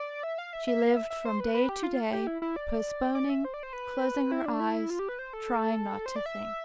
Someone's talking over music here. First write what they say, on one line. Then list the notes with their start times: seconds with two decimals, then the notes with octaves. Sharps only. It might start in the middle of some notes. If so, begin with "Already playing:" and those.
She lived from day to day, postponing, closing her eyes, trying not to think.
Already playing: D5
0.23 E5
0.38 F5
0.53 E5
0.68 E5
0.82 F5
0.97 E5
1.10 E5
1.25 C5
1.40 B4
1.54 B4
1.69 G4
1.83 F4
2.13 G4
2.27 E4
2.42 E4
2.56 D5
3.15 D5
3.29 E5
3.44 C5
3.54 D5
3.63 C5
3.73 B4
4.32 E4
4.46 D4
4.60 E4
4.90 F4
4.99 G4
5.09 B4
5.19 C5
5.33 A4
6.06 C5
6.16 D5
6.26 E5